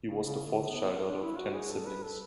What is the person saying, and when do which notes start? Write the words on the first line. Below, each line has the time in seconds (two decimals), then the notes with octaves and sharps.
He was the fourth child out of ten siblings.
0.09 C#3
0.25 C#3
0.47 D3
0.68 B3
1.06 D4
1.22 E4
1.38 F#4
1.54 G#4
1.71 A4
1.87 B4
2.03 A4